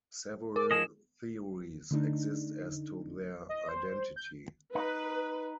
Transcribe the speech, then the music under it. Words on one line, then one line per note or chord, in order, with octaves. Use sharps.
Several theories exist as to their identity.
A#4 D6
F3 G#4 D#5 E7
D3 A3 D4 D#4
D#5
C5
G6
D#4 B4